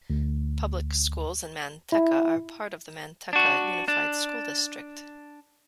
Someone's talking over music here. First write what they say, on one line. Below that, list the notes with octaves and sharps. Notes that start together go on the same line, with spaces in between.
Public schools in Manteca are part of the Manteca Unified School District.
D2
E4
D4 F#4
D4